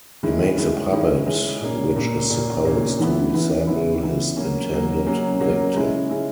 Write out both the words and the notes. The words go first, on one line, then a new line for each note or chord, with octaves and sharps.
He makes a puppet which is supposed to resemble his intended victim.
D#3 G#3 C#4 E4
D#3 G#3 C#4 E4
D#3 G#3 C#4 E4
D#3 G#3 C#4 E4
A#2 A#3 C#4
A#2 A#3 C#4
A#2 A#3 C#4
A#2 A#3 C#4
C#3 E3 B3 E4
C#3 E3 B3 E4
C#3 E3 B3 E4
C#3 E3 B3 E4
C#3 F#3 A#3 C#4
C#3 F#3 A#3 C#4
C#3 F#3 A#3 C#4
C#3 F#3 A#3 C#4
C#3 G#3 C#4 E4
C#3 G#3 C#4 E4